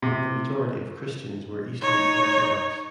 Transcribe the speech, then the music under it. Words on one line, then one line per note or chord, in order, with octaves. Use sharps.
The majority of Christians were Eastern Orthodox.
C3
D#4 C#5